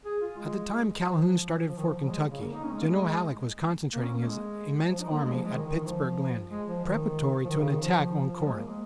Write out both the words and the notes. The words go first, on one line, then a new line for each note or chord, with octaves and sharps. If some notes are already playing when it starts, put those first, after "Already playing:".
At the time Calhoun started for Kentucky, General Halleck was concentrating his immense army at Pittsburg Landing, preparatory to an attack on Corinth.
G#4
F4
G#3
F3
F3
D#3
F3
F3
G#3
C#3
A#3
D#4
C#4
G#3
A#3
G#3
A#3
C#4
A#3
G#3
F3
D#4
A#3
G#3
F3
G#3
D#3
D#3
D#3
F3
G#3
F3
D#3
F3
D#3
C#3
D#3
F3
F3
G#3
A#3
G#3